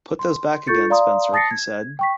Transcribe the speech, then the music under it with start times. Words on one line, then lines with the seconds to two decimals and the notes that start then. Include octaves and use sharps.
"Put those back again, Spencer," he said.
0.19 C6
0.67 F4 A4 C#6 G6 A6 C#7
0.90 D5 F5 A#5 C6 D#6
1.33 A5 D#6 A6 A#6 C7 C#7
1.51 G#6
1.99 G5 C#6 B6